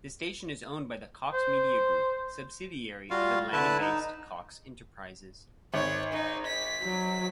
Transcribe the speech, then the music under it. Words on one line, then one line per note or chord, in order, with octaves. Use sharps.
The station is owned by the Cox Media Group subsidiary of Atlanta-based Cox Enterprises.
C5
G3 F4 F#4 F5
D3 E4 B4 A5
D#4
G#1 C#5
D#4
B6
F#3